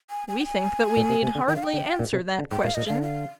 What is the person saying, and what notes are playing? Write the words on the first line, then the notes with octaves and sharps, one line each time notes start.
We think that we need hardly answer that question.
G#5
G#5
G5
G#5
A#2
C3
C3
D3
D#3 G5
F5
G5
D3
A#2
C3
D3
G#2 G5
A#2 F5
A#2 D#5
D3 F5
F5